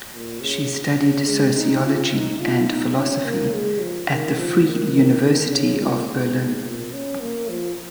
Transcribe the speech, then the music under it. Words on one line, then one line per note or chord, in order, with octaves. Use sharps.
She studied sociology and philosophy at the Free University of Berlin.
A#2
C#3
C#3
G#3
D#4
F4
D#4
F4
D#4
C#4
A#3
G#3
F3
D#3
F3
D#3
D#3
D#3
C#3
A#2
G#2
A#2
C#4
A#3
F3